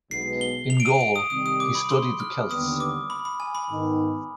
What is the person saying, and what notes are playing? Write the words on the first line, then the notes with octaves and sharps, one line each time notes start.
In Gaul, he studied the Celts.
B1 B2 G#3 B3 C7
G7
F7
D7
D#7
D7
D#6
C3 D#3 G3 D#6
D#6
D6
B5
C6
F6
D#2 D3 G3 B3 D#6
D6
B5
B5
G#5
B5
G#2 D#3 B3 D#4